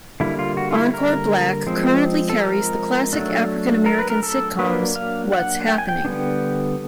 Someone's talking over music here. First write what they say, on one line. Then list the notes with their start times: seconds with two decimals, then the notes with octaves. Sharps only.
Encore Black currently carries the classic African American sitcoms What's Happening!!
0.20 D3 G3 A#3 E4
0.39 F4
0.57 F#4
0.71 F4
0.75 E4
0.94 A#4
1.67 F3 G#3 C4
2.30 A4
2.40 A#4
3.13 F#3 A3 D4
3.86 A#4
3.99 B4
4.10 A#4
4.23 A4
4.59 F#3 A#3 D4 B4
4.96 F5
5.32 F#5
5.68 G5
5.78 G#5
5.89 G5
6.05 D3 G3 B3 D4